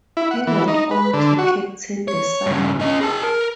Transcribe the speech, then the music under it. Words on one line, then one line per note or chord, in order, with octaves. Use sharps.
He went on to captain the side.
E4
F#5
E3
D#4
B4
D3
F#4
C#5
G2 C#3
C#4 D#5
G#4 A5
A#4